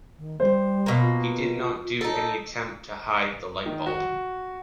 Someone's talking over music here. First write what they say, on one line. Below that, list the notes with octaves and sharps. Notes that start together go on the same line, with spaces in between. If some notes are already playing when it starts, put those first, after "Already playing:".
He did not do any attempt to hide the light bulb.
D#3
G3 C5
B2 A#3
F4
D#4 A4
D#3
F#4